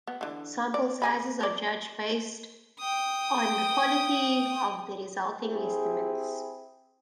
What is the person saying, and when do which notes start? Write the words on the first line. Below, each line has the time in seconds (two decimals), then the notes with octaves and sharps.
Sample sizes are judged based on the quality of the resulting estimates.
0.07 B3
0.21 D3 E3
0.74 D5
1.02 C#3 G#5 B5
1.41 A#4 D5
2.79 G5 D#6
5.42 C4 E4 G4 G#4